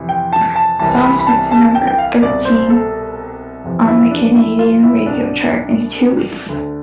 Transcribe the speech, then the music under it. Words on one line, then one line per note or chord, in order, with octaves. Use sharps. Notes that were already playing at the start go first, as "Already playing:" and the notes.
The song went to number thirteen on the Canadian radio charts in two weeks.
Already playing: F2 C3 E3
G5
A5
A5
C2 C3 E3 A5
B5
B5
A5
A5
G5
G5
F5
C2 B2 D5
C5
A4
F2 C3 E3
E4
D4
E4
F4
E4
E4
C2 B2 D4
D2 D3